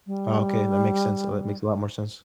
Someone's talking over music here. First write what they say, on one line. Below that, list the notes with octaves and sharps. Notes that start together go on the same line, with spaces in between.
Oh, okay, that makes sense. Oh, that makes a lot more sense.
G3